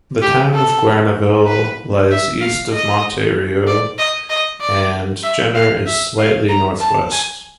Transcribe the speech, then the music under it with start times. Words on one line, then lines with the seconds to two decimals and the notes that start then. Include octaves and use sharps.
The town of Guerneville lies east of Monte Rio, and Jenner is slightly north-west.
0.22 G4
0.54 A4
1.47 B4
2.11 E5
2.41 F5
2.73 D#5
3.67 D5
3.98 D#5
4.29 D#5
4.61 D5
5.23 E5
5.54 F5
5.86 E5
6.18 F5
6.49 A#5
6.80 A5
7.12 G#5